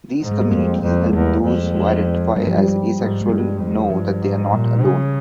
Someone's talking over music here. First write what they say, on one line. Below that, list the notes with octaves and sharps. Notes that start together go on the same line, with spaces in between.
These communities help those who identify as asexual know that they are not alone.
G#2
G#3
G3 A#3
F2 G#3 C4
F2
G#3
E2 G3 A#3
F2
G#3
G2 G3
F3
G3
G3
G#2
G#3
G2 G3
F2
G2 F3
G#2
A#2 G3
C#3